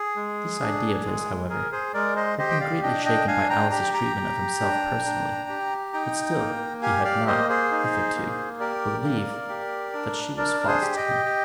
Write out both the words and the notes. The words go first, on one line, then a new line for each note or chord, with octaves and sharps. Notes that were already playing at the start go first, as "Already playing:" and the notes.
This idea of his, however, had been greatly shaken by Alice's treatment of himself personally; but still he had not, hitherto, believed that she was false to him.
Already playing: G#4
G#3
D4
G#3
G#4 A#4
G#4 C5
G#3 A#4 D5
C5 D#5
G4 C5 D#5
G5
D5 F5
D4 D#5 G5
D#5 G5
D4 F5 G#5
G5 A#5
G4 G5 A#5
G5 A#5
G4
D4
D4
G4
D#4 G5 A#5
A#3
G4 F5 G#5
D5 F5
A#3 C5 D#5
G#4 C5
D#4
A#3
G4 A#4 D5
A#3
G4
D4
D4 A#4 D5
A#4
G#4 C5
G4
D#5 G5
G4